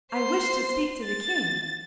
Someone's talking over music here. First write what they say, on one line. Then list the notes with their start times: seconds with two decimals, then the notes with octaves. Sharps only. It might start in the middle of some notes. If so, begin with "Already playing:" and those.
I wish to speak to the King.'
0.12 C5 C7
1.05 A6